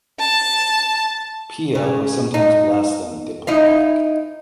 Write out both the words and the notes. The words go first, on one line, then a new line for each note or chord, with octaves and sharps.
Pilla was sometimes less than diplomatic.
A5
C#3
D#4
D#4 E4 F5